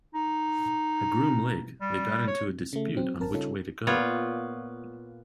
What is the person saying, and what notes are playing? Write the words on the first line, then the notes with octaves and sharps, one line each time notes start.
At Groom Lake they got into a dispute on which way to go.
D#4
G3
C#5
C#3 A3
F#3 C4
G#1 C4 A#4 A5
C#3 G3 C#4 D#4 F4 A4
A#2 B3 F4 C#5